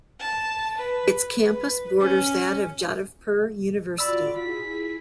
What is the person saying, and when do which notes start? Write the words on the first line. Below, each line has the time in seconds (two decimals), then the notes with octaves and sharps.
Its campus borders that of Jadavpur University.
0.19 A5
0.77 B4
1.43 B4
2.00 C#4
3.98 F4 F#4 D5 B5 E6
4.38 E4 G#4 B6